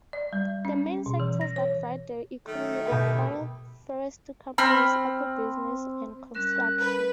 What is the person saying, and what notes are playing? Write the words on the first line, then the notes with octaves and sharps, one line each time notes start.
The main sectors that drive the economy are oil, forestry companies, agribusiness, and construction.
D5
G3
C#4
B2
E3
A#6
C#5
D#3 F#3 A3
B2 G4 B4
C4 B5 F6
G3 C#4 A#4 F#6
B4